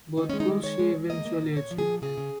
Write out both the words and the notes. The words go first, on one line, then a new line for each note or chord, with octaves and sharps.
Both goals she eventually achieved.
D#3 D#4
C#4
G#3
D#4
D#3
G#3 C#5
G#3
G#3
A#3 D#5
A#3
A#2
A#2 C#5
F3
G#4
A#2
C#3 G#4
C#3